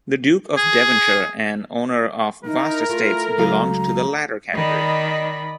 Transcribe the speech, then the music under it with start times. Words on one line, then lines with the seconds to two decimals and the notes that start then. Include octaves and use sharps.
The Duke of Devonshire, an owner of vast estates, belonged to the latter category.
0.57 G#4
2.45 D#4 E4 A#4
2.89 A3 F4
3.38 C#2 F#3 F5 A#5
4.53 D#3 D5 D#5 B5